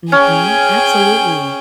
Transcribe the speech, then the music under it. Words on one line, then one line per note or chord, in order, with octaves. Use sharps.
Mhm. Absolutely,
C#4 G#4 G5